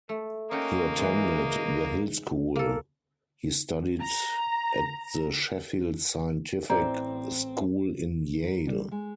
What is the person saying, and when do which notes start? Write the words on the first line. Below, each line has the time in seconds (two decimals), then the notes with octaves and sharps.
He attended The Hill School He studied at the Sheffield Scientific School in Yale.
0.09 A3
0.51 A#3 C#4 F#4 D#5 G5
0.99 E3 G#3
2.56 A#3 A4
4.00 A#5
6.70 A1 C4 E4 C5 D5 A#5
8.44 A#4
8.67 G3
8.91 G#3